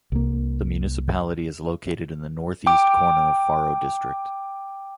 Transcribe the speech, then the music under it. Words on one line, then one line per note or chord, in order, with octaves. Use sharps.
The municipality is located in the northeast corner of Faro District.
C2 A#3
G5 D6